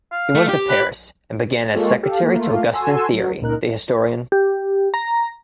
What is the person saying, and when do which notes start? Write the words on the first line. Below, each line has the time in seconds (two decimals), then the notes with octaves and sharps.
He went to Paris and began as secretary to Augustin Thierry, the historian.
0.12 F5
0.35 A3
0.49 G4
0.69 B4
1.74 G#3 A#3 F4 G4 A4 C#5
2.03 G4 A4 F5
2.22 A3 A#3 F4
2.73 F#4 A4 G#5 C6 E6
3.13 F#3
3.40 C#2 A#2 D#4 A#4 F#6
4.32 G4
4.94 A#5